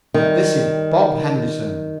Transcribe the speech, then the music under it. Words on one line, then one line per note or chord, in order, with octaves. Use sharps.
This is Bob Henderson.
D#3 G3